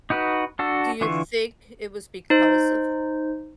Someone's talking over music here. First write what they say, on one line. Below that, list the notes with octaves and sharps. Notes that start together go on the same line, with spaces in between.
Do you think it was because of
D#4 F#4 B4
D4 F#4 A4
D3 E3 F4 C#6
D#4 C5